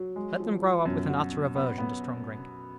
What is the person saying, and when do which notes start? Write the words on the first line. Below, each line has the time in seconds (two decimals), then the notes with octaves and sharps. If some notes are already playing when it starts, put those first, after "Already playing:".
Let them grow up with an utter aversion to strong drink.
Already playing: F#3
0.16 G#3
0.40 F3
0.62 F3
0.85 F#2 B2
1.09 F#4
1.32 B2
1.55 B3
1.78 B3